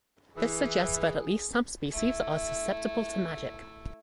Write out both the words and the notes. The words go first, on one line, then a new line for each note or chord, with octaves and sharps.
This suggests that at least some species are succeptible to magic.
E3 G#4
A3 E4